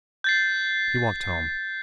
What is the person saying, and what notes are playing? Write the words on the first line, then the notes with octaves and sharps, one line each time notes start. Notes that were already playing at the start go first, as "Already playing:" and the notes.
She walked home.
G6 A6 C7